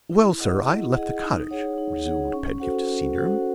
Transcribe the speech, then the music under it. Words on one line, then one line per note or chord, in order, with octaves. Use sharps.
"Well, sir, I left the cottage," resumed Pedgift Senior.
E4
G#4 D#5 F#5
E4
G#4 D#5 F#5
D#4
G#4 C#5 F#5
D#4
G#4 C#5 F#5
C#4
F#4 A4 C5 F#5
C#4
F#4 A4 C5 F#5